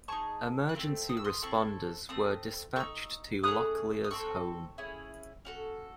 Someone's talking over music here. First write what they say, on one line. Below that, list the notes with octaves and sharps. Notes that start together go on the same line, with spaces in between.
Emergency responders were dispatched to Locklear's home.
D#4 G#4 A5 C#6
F#6
A3 C4
D#6
E6
C6 D#6
C4 E4 A4 A5 C#6
A3 C4 D#6
D#4 A4 C#6 E6
A3 C#4 G#4 D#6 F#6
D#6
C4 F#4 A4 C#6 E6
C#4 E4 G#4
C#4 F#4 A4